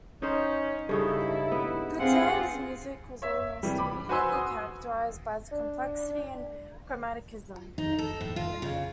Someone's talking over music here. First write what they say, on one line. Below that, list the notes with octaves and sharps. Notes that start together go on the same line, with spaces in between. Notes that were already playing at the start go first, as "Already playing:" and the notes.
Guettel's music was almost immediately characterized by its complexity and chromaticism.
C#4 D#4 C5
G2 C#3 D#4 E4 A4
B3
C4 F4 G#4 F#5
C#5 E5
C3 E3 G3
B5 D6
F#4 B4 C5 G#5 C6 E6
F#4 C6 D#6
D4
D#4
A4
A2
F4
C#3